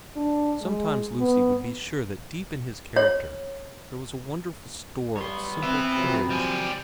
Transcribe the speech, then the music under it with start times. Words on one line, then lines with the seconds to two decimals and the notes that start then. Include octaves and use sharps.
Sometimes Lucy would be sure that deep in his character there was a wonderful store of simple courage.
0.16 D4
0.62 G#3
1.19 B3
2.96 C#5
5.17 G3 B3 C#5 C6
5.63 C4 B4 E5
5.96 C3 F3 F#3
6.30 G3 G#5